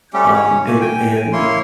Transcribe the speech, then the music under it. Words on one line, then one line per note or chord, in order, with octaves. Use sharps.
um, and and
G3 A3 C#4 G4
C#4 C#5
A3 A#3 G#5
G5 G#5
G#5
A#3 E4 C#5 C6